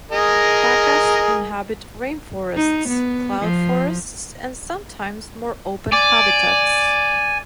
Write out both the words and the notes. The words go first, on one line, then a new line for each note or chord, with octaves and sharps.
Pacas inhabit rainforests, cloud forests, and sometimes more open habitats.
G#4 A#4 D#5
D#4
B3
F3
D5 G#5